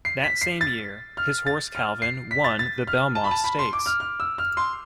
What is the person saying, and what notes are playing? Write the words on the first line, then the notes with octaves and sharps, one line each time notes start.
That same year, his horse Calvin won the Belmont Stakes.
C7
B6
C7
A6
F6
A6
F6
C7
B6
A6
A6
F6
A5
B5
A5
B5
C6
D6
F6
F6
E6
F6
C6